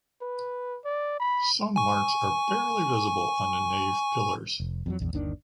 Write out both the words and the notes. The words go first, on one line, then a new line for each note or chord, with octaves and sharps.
Some marks are barely visible on the nave pillars.
B4
D5
B5
G#5 C#6
F1
F2 C3 F#3
A#1 E2
G1 D#2 D#3 D4